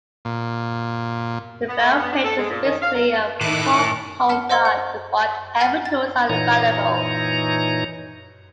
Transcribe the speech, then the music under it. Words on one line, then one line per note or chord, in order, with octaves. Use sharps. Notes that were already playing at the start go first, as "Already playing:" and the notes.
The bell pit is basically a foxhole dug with whatever tools are available.
A#2
B3
A3
B3
D4
A4
G#3
A#2
D#3
F5
A#4
A2 D#3 E4 D6 F#6
F#5 A5 F6 B6
C5 D#5 F#5 C6 E6
F#5
F#5 G#5 B5 F6 A6 C7
A6
A#2 E3 D#4 C#5 A#5